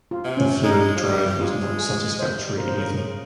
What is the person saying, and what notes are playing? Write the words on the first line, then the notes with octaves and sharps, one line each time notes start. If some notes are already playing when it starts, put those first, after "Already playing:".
The fluid drive was not satisfactory either.
F4
C3
C#4
G#3 D#4
G3
G#3
F3
G3
G3
G#3 F4
G#4
G#3 C5
G3
F3 A#4
C5
C#3 A#4
C#3